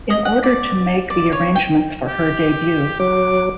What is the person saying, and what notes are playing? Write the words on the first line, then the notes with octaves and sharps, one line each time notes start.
In order to make the arrangements for her debut.
D#5
F#5
D5
D5
C#5
G5
G4
F#3 D6